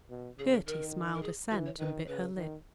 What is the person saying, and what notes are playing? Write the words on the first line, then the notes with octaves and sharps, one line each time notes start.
Gerty smiled assent and bit her lip.
B2
C#3 G#4
A#4
D#3 A#4
A#4
G#4
E3 F#4
C#5
D#3 B4
C#3 B4
D#3